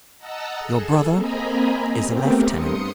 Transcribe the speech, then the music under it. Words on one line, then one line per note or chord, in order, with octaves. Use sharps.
Your brother is a lieutenant.
D#5 F#5 A5 A#5 E6
G#4 A4
A#3 C4 D#5 G#5 A#5 B5
A3 B3 C4 G4 A#4
G2 C6 D#6 C#7